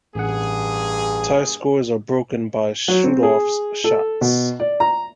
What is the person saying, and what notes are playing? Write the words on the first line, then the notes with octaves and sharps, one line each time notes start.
Tie scores are broken by shoot-offs shots.
A1 G2 A#3 G#4 F#5
F#3
C4
G#4
A4
B2
D5
A#5